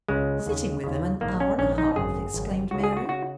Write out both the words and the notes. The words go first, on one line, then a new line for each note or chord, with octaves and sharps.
"Sitting with them an hour and a half!" exclaimed Mary.
C#2 C#3 G#3
D#2 C#3
D#2 C#3
A#1 G#2 D#3 A#3
C#4
A#1 G#2 D#3 C#4
D#4
G#1 F#2 C#3 G#4
G#1 F#2 C#3
C#2 C#3 F#4
G#4
F#4
C#3 F#4